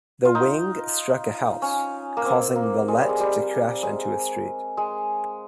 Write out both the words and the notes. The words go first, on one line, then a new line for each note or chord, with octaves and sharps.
The wing struck a house, causing the Let to crash into a street.
F4
D#4
C#4
A#3
C4
A#3
G#3
G3
G#3
G3
G#3
G#3